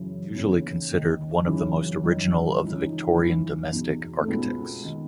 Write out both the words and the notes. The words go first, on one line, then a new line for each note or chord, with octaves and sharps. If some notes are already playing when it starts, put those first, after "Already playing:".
He is usually considered one of the most original of the Victorian domestic architects.
Already playing: F#2 C#3 E3
D#2 C#3 E3 B3
D#2 D#3
F#2 C#3 E3
F#2 D#3
C#2 C#3 E3 D#4
C#4
D#4
F#2 E3
E2 B2
A3
C#2 B2 B3
D#3